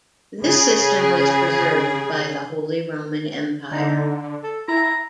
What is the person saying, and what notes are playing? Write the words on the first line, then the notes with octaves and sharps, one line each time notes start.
This system was preserved by the Holy Roman Empire.
C#3 G#4
D3 D#4
A4
E4 A#5